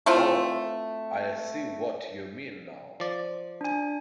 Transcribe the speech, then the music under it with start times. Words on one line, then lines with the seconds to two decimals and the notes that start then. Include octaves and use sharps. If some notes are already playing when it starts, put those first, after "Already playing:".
Oh, I see what you mean now.
0.06 A3 C4 E4 F4
3.00 F3 D5
3.61 D4 G#5